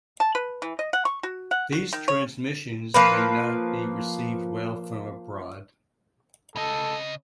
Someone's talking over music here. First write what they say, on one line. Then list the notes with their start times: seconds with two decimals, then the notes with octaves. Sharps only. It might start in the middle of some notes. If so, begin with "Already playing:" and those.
These transmissions may not be received well from abroad.
0.20 A5
0.35 B4
0.62 E3
0.79 D#5
0.93 F#5
1.05 C#6
1.23 F#4
1.51 F#5
1.72 F#4
1.93 D#3
2.08 C#5
2.94 F3 A#3 B4
6.56 C#3 A4 D#5